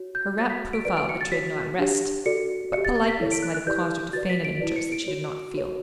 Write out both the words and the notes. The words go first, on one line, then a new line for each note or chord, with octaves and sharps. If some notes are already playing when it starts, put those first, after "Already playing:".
Her rapt profile betrayed no unrest, but politeness might have caused her to feign an interest that she did not feel.
Already playing: F#4 C#5
G6
F#4 C#5 A6
B6
D7
F#4 B4 D5 D7
D7
C#7
A6
F#4 C#5 B6
D4 G4 C#5
F#4 A4 D5 C#7
G4 D5 C#7
A6
A6
B6
E4 A4 C#5
D7
F#6
F#6
E4 G4 B4 D5 G6
F#4 B4 D5 A6
B6
D7
E4 B4 D5
C#7
D7
F#4 C#5
F#4 C#5